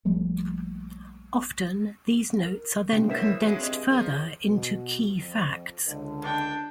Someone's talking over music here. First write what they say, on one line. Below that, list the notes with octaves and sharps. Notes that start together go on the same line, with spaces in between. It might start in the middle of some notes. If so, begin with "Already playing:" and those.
Often, these notes are then condensed further into key facts.
A#1 F3 G3 A3
A#4 F6
C3 G#3 A#3 D4 C5
B2 E3 G#4 A#4 C5 C#5 E5 F#5
E3 F#3 G#3 G#4 B5
G2 C4 D#5
C#2 F3 A#3
B2
F2
C#2 D3
D4 G5